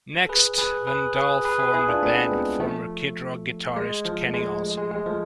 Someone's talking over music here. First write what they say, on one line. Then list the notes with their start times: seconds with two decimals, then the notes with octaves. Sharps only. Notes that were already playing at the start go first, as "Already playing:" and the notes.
Next, Van Dahl formed a band with former Kid Rock guitarist Kenny Olson.
0.25 A4
0.29 G#4 B4
0.58 G#4 B4
0.87 G#4 B4
1.16 G#4 B4
1.45 G#4 B4
1.59 G#4 B4
1.74 E4 G#4
1.88 D4 F4
2.02 A3 C4
2.31 G#3 B3
2.60 F3 A3
3.76 G#3
4.05 F3
4.24 A3
4.34 G#3
4.63 G#3
4.77 G#3
4.91 G#3
5.06 F3 A3